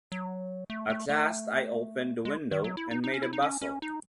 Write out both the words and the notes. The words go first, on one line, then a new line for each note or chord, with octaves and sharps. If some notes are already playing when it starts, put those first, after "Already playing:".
At last I opened the window and made a bustle.
F#3
A3
A3
A3
G#3
D#3
F#3
E4
D#4
D#4
C#4
E4
D#4
C#4
C#4
D#4